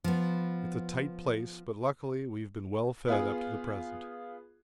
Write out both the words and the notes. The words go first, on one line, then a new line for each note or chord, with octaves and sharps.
It's a tight place, but luckily we've been well fed up to the present.
F3 B3
B3 F4 G#4